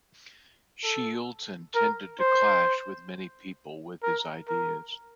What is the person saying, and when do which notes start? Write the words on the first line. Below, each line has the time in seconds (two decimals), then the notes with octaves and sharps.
Shields and tended to clash with many people with his ideas.
0.84 A4
1.75 A#4
2.20 C5
4.03 A#4
4.48 A#4